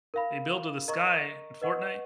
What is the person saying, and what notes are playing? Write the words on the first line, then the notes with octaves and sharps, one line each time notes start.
They build to the sky in Fortnite?
A#4 F5 B5
A#4 D#5 A#5 C#6
B4 D#5 F#5 C#6